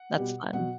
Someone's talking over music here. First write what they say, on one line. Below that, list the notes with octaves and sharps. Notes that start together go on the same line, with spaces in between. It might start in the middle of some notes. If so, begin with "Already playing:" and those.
That's fun.
Already playing: F#5
B2 G3
B2 F#3 F#5